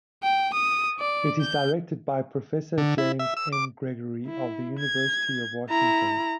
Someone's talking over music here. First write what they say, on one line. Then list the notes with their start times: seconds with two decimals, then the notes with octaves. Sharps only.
It is directed by Professor James N. Gregory of the University of Washington.
0.23 G5
0.53 D#6
0.99 D5
1.41 G6
2.78 D3
2.98 E4
3.19 E5
3.37 E6
3.53 D6
4.26 E4
4.79 G#6
5.69 E4 A#5